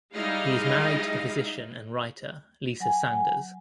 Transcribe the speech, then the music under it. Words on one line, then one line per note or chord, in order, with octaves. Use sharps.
He is married to the physician and writer Lisa Sanders.
G3 G#3 D#4 E4 D#5 F5
F#3 F#5 G#5